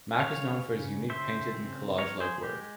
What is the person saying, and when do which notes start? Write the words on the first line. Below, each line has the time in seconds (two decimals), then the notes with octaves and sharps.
Mack is known for his unique painted and collage-like work.
0.20 C#3 C#5 F5
0.65 C#3
1.09 C#3 C5 E5
1.54 C4
1.98 F3 A#4 C#5
2.20 G#4 C5
2.43 G#3 G4